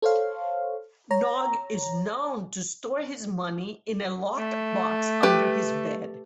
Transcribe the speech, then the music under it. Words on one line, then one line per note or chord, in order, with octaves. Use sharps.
Nog is known to store his money in a locked box under his bed.
A4 C5 C#5 F5
C#5 A#5
A3
G4 B4